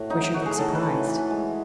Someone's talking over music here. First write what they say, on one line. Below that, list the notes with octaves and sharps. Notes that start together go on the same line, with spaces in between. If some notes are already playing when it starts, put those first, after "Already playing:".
Richard looked surprised.
Already playing: A2 F#4
F#3 D#4
D#4
A3 F#4
G#4
A2 A4
B4
A2
E3
G#3